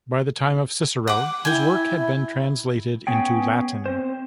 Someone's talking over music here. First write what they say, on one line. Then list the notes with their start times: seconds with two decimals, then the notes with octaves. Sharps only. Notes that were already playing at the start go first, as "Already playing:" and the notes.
By the time of Cicero his work had been translated into Latin.
1.07 F#5 D6
1.45 E4 G5 G#5
3.07 B3 C#4 G#4 G5
3.86 C4 C5